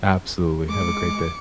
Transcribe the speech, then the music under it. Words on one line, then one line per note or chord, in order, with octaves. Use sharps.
Absolutely. Have a great day.
G#3 D6 C#7